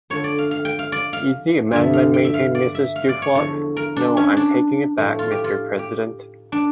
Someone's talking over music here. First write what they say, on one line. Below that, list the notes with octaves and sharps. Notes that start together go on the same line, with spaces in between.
Is the amendment maintained, Mrs Duflot? No, I’m taking it back, Mister President.
F2 D3 F3 C#5
D5
F5
F5
G5
F5
D5
F5
G2 D3 F3 E5
F5
G5
E5
F5
D5
E5
F5
D5
C#5
E2 D3 F3 C#5
A#4
D4
C#4
D4
A2 F3
F4
G4
F4
G4
D4